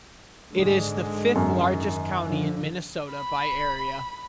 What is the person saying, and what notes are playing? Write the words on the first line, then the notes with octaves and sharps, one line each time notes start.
It is the fifth-largest county in Minnesota by area.
G#2 D3 G#3
F#2
D#3
D3 F3
B5